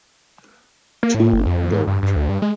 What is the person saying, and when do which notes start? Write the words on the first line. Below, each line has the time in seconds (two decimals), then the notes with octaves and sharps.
Two don’t.
1.03 A#3
1.15 A2
1.33 G1
1.46 F2
1.58 F2
1.72 G#2
1.87 G2
2.03 G2
2.16 D2
2.29 G2
2.42 G#3